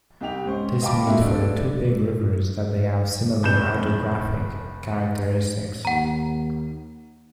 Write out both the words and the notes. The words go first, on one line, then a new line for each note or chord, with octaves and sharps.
This means for the two big rivers that they have very similar hydrographic characteristics.
C2 D#4 G4 F7
G#2 C#4 C5 C#6
D#5 F5 G5 A5 B5 D6
A3 A#3 C4 D#4 E4 F#4
A3 D4 A4
F1 G6 E7
D#2 F#5 A#5